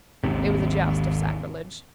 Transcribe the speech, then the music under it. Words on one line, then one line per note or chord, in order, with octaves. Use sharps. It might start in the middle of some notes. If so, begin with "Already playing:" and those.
It was a joust of sacrilege.
G#1 D#2 C3